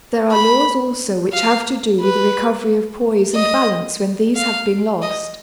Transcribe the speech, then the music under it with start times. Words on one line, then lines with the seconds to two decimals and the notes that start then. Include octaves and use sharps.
There are laws also which have to do with the recovery of poise and balance when these have been lost.
0.32 B5
1.32 F5
2.00 B4
3.35 D#5
4.36 F5
5.02 D#5